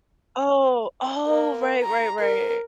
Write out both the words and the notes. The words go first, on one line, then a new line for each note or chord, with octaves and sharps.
Oh. Oh, right, right, right.
A#3
A#5
A#4